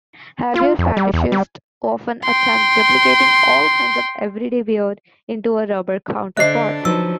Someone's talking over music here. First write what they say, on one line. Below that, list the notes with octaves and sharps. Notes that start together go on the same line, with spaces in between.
Heavier fetishists often attempt duplicating all kinds of "everyday wear" into a rubber counterpart.
F4
F2
G3
E2
G3
G5 C6
D3 D4 C5 D#5 E5 F#6 C7
F3 F#3 D#4 B4 E6